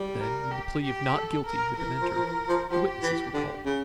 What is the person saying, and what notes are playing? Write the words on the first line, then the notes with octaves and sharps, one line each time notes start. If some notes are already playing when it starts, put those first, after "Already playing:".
Then, when the plea of "not guilty" had been entered, the witnesses were called.
Already playing: G3
A#4
G4
G4
A4
A#4
E3 A#4
F3
F3
E3
F3
F3 G4
E3
D3
C#3